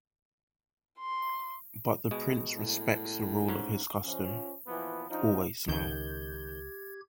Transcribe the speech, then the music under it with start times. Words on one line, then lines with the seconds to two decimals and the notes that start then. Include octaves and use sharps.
But the prince respects the rule of his custom: always smile.
0.99 C6
2.11 B2 G#3
2.51 A2
3.48 G#2 C#4
4.04 F3 C#4
4.67 A#2 E3 F3 B3
5.10 F3 D4 D#4
5.68 C#2 D#3 G4 G6 G#6